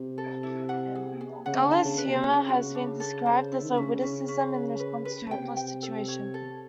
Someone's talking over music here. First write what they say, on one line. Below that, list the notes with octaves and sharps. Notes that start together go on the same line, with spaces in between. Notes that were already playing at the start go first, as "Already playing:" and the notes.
Gallows humor has been described as a witticism in response to a hopeless situation.
Already playing: C3
A4
E4
F#5
G#4
G#4
C#3 F#5
D3
A5
C#3
B4
C3
C#3 F#4
F#4
D4
A4
C5
E4
D#3
D3
C#3 C#4
C#4
C#4
B4
B4
B4
C3 G5
G5
A4
C#5
A4